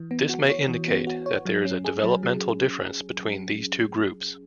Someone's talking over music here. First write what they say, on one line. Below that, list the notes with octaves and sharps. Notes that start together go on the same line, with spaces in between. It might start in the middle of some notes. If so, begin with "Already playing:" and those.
This may indicate that there is a developmental difference between these two groups.
Already playing: E3
B3
F#4
C#5
E3
B3
F#4
C#5
F#3
C#4
G#4
F#3
F#3